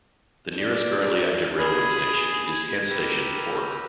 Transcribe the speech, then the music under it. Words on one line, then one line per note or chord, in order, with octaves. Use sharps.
The nearest currently active railway station is Kent Station Cork.
D5
G#4 B5
G#6
G4 A#4 B4 A#5 E6